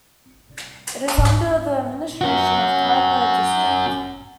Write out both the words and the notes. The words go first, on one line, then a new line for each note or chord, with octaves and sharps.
It is under the administration of Tai Po District.
G#2
C#4 F#4